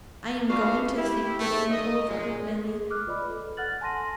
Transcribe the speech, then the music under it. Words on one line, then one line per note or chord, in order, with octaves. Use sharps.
I am going to think the thing over, Milly.
D4 F4 F#4 B4 F5
E4 G4
G#2 A3
D#5
A#2 G#3
G#4
D6 F6 F#6
F4 B4 D5 D#5 B5
A4
A4 F#5 F6 F#6 A6 F#7
G#5 A5 C6 A#6 D#7